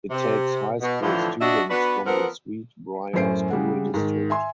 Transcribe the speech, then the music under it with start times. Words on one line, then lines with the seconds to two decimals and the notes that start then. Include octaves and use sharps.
It takes high school students from the Sweet Briar School District.
0.10 C3
0.81 B2
1.01 A2 D3 E3 F3
1.40 D4 F#4 D#5 E5
1.69 B3 D4 F#4 B4
2.05 F3 B3 C4 A#4 F#5
3.13 F#2 A2 C#4 C5 C7 D7
3.50 C#3 G3 G#3 F#5
3.94 G#2 D#3
4.30 E5 G#5 C6